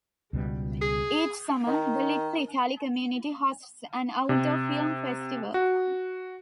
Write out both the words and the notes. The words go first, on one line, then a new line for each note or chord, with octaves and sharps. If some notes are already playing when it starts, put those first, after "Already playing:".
Each summer, the Little Italy community hosts an outdoor film festival.
C#2 B2 G3
G#4
D#3
C3
F#4